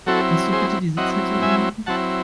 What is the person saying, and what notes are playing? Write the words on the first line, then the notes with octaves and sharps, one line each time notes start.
Kannst du bitte die Sitzheizung anmachen?
F#3 C4 E4 F#4 A4
G#4 C5
F#3 C4 E4 D#5 F#5
E5 G#5
F#3 C4 E4 F#5 A5